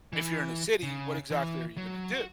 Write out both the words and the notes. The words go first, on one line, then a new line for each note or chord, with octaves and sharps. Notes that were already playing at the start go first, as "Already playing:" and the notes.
If you're in a city, what exactly are you gonna do?
E3
C#3
E3
F#3
F#4